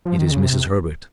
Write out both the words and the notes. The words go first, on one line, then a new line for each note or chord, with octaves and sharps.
"It is Mrs. Herbert."
F3
D#3
C#3
C3